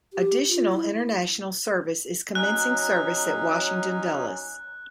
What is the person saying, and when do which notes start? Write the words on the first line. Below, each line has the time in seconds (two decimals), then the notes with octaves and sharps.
Additional international service is commencing service at Washington Dulles.
0.13 G4
0.49 F4
0.72 E4
2.35 F#3 C#4 D#4 F#6